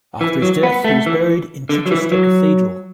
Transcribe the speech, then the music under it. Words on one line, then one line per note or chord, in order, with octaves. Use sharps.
After his death, he was buried in Chichester Cathedral.
E3
F#3
B3
A3
E3
D3
F#3
E3
F#3